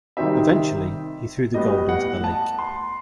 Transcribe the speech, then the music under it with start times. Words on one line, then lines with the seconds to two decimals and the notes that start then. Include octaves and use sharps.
Eventually, he threw the gold into the lake.
0.17 C3 D#3 G3 C4 D#4 E5
1.54 A2 G3 B3 D#5
1.89 F#5
2.24 A5
2.59 C6